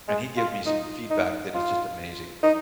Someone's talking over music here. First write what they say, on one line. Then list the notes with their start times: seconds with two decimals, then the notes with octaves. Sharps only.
And he gives me some feedback that is just amazing.
0.08 G#3
0.37 F4
0.66 D#4
1.10 D#4
1.54 F4
2.43 D#4